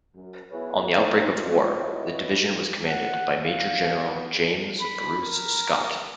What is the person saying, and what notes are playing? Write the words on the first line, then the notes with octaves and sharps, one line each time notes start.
On the outbreak of war, the division was commanded by Major-General James Bruce Scott.
F#2
B3 E4 G#4 B4 C#5
D4 E4 A4 A#4 C5
G#3 F4
E4 F#4 B4 C#5 D#5 E5
F#5
F5
B3
B5
A#4